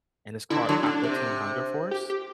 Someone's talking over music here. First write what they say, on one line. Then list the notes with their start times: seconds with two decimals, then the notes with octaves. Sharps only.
And it's called "Aqua Teen Hunger Force."
0.50 D3 E4
0.62 D4
0.69 D3 F#3
0.83 D3 D4
1.03 C3
1.91 G4
2.10 G4